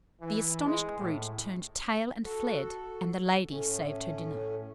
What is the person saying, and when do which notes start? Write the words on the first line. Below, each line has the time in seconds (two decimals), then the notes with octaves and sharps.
The astonished brute turned tail and fled, and the lady saved her dinner.
0.21 E3
0.65 G#3
0.99 A2
2.25 F#4 A4
3.50 A2 A3 C#4